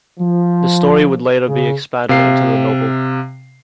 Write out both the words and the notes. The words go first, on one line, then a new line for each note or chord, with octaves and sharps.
The story would later be expanded into the novel.
F3
C#3
C3 F5 C7